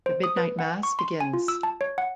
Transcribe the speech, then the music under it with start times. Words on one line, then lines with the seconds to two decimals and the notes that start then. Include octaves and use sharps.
The midnight mass begins.
0.06 C5
0.24 D#6
0.37 B4
0.59 F#5
0.83 C#6
0.99 C6
1.20 G#5
1.33 F4
1.48 E6
1.63 A5
1.81 C#5
1.98 F#5